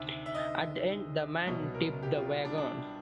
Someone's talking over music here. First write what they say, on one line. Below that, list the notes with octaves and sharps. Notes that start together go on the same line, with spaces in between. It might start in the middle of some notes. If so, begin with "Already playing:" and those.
At the end the man tipped the wagon.
Already playing: D2 C3 D#3 E5
E5
D#5
C2 B2 F#3
A#4
G4
F4
D4
D4